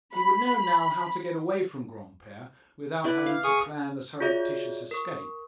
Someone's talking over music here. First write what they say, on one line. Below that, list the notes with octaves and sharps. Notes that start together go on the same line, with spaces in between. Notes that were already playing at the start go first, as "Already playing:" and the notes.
He would know now how to get away from Granpere without having to plan a surreptitious escape.
B5
E4 B4 D5
F5
G#4 C#6 D#6
F4 F#4 G#4 C#5 D5 E5
A#4 C#6